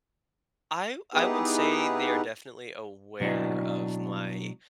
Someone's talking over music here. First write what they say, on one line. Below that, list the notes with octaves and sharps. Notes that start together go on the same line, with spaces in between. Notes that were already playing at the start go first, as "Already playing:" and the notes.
I w I would say they are definitely aware of my
B3 D#4 E4 G4 G#4 B4
B2 F#3 D4 E4 D#5